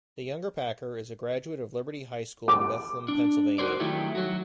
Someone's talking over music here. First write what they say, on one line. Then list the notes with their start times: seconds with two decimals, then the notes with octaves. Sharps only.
The younger Packer is a graduate of Liberty High School in Bethlehem, Pennsylvania.
2.48 D6
3.08 D4
3.58 D#4 F#4 G#4 A#4 C5 D5
3.80 D#3 F#3 A3 E4 G4
4.15 F#3 F#4